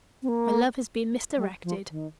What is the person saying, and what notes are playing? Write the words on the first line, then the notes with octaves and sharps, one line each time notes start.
My love has been misdirected.
C4
A#3
G3
F3
D#3